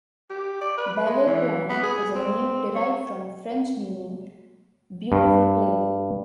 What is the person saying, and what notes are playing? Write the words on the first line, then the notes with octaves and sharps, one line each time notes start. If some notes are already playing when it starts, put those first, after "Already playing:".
Belle Plaine is a name derived from French meaning "beautiful plain".
G4
D5
B4
G#3
E3
B3
G#4
C4
C#5
G2